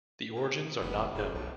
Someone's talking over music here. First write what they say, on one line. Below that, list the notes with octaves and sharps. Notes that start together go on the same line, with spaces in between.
The origins are not known.
A2
F1 B3
D#1 C#3
B1 A2